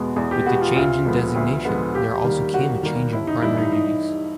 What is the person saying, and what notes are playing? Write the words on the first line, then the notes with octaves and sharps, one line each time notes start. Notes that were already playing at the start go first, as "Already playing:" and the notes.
With the change in designation, there also came a change in primary duties.
Already playing: E2 B2 G#3 B3
E2
G4
B2 G#3 B3 F#4
F4
D2 F4
D3 F3 G#3 B3
D2
D3 F3 G#3 B3
D#2 G4
D#3 G3 A#3
D#2 F#4
D#3 G3 A#3
G1 E4
D#4
G2 E3 G3 E4
D#4
D#4